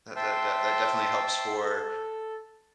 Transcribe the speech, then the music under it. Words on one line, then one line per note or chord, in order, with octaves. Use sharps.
that that that definitely helps for,
C5 E5 G5 A5 C6
A4